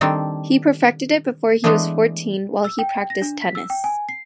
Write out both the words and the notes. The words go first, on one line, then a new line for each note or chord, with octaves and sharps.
He perfected it before he was fourteen while he practiced tennis.
D#3 G3 C4 D4 A4
E3 G#3 A3 B3 D4 G#4
E6
G5
A#6
D4
B6
E6
G5
G#5
C7